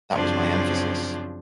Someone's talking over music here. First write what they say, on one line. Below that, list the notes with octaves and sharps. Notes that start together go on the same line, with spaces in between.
That was my emphasis.
F#2 C#3 F3 C4 D4